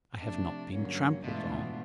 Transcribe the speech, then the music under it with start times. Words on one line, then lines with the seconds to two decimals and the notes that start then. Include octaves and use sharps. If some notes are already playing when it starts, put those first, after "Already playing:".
I have not been trampled on.
0.20 C3 F3 A3 D4
0.72 G2 D3 F#3 A#3 C#4
1.24 G#2 B2 E3 A3 D4 F4